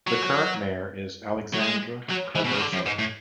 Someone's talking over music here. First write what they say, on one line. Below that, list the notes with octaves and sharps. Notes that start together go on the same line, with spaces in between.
The current mayor is Alexandre Cardoso.
F#3
F#3
G#3
F#3
E3
B2
C#3
D3
F#2
G#2
A2